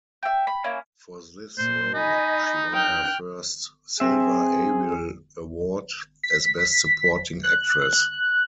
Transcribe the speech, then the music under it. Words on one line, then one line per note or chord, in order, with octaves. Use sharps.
For this role, she won her first Silver Ariel Award, as Best Supporting Actress.
E5 G5
B5
A#3 C#4 E4
A#2 C5
D#4 D#5 G#5 B5
G5 F6 F#6
C4 G#4 E5
B6
F#6